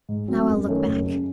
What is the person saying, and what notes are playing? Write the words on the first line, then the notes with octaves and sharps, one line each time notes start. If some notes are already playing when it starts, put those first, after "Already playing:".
Now I'll look back.
G#2
F#3 C4
F#2
D#3 A3 C#4
F#1
C#3